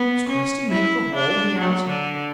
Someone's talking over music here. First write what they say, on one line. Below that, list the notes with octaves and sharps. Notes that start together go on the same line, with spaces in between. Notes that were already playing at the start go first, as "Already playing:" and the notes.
"Does Cresty make the hole?" he asked.
Already playing: B3
C#4
E4
D4
F#3
D3